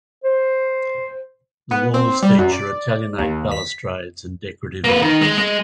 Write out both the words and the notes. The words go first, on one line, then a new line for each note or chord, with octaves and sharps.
The walls feature Italianate balustrades and decorative urns.
C5
B3
C4
G3
F#2
D5
D#2
B6
A#3 B4
D#3
G#3
G#3